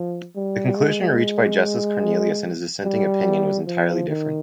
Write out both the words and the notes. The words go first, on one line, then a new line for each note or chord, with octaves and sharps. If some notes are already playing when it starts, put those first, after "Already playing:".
The conclusion reached by Justice Cornelius in his dissenting opinion was entirely different.
Already playing: F3
G3
G#3
G3
F3
D#3